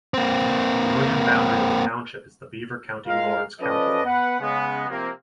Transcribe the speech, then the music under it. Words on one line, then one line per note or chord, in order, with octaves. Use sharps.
The northern boundary of the township is the Beaver County-Lawrence County line.
A#3 C4
G#3 F4 A#4 F5
F3 C#4 A4 B4 D5 D#5
B3 B4 F#5
C#3 G#3 B3
C3 F3 A#3 C4